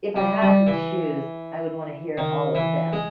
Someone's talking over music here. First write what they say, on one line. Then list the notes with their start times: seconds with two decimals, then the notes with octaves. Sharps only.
if I had to choose I would wanna hear all of them.
0.16 G3
0.42 G3
0.67 E3
2.18 D#3
2.55 E3
2.93 G#3